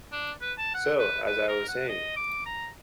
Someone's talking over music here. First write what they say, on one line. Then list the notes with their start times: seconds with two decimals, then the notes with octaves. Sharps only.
So, as I was saying.
0.12 D4
0.41 B4
0.58 A5
0.74 F#5
0.99 B4
1.26 B4
1.48 A#4
1.68 F#5
1.88 D#5
2.16 D6
2.45 A#5